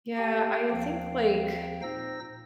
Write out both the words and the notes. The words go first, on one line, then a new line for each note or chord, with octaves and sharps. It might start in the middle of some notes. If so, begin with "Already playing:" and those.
Yeah, I think like
A#3 G4 F5 G5 A5
D#2 F3 C4 F5 G5
A#2 D#4 C5 E6 A#6